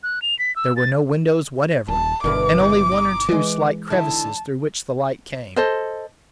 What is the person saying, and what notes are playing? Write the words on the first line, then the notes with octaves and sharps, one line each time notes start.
There were no windows whatever, and only one or two slight crevices through which the light came.
F#6
F7
B6
E6
A6
D#1 A5
G1 B2 D3 E3 A#4 B4 D6
C#3 E3
D#4
E3 G#3 B4 D#5
D3 D#4 E4 A5
A4 C5 D#5